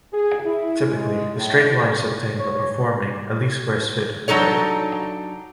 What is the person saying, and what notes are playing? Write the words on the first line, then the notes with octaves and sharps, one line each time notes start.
Typically, the straight line is obtained by performing a least-squares fit of the data.
G#4
E4
G#3
A2
C#5
F#3 D4 D#4 A4 C#5